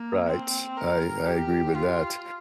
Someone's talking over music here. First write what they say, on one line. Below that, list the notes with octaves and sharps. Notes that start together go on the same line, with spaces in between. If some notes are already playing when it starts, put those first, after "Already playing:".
Right, I I agree with that,
Already playing: A#3
C4
A#4
G4
F4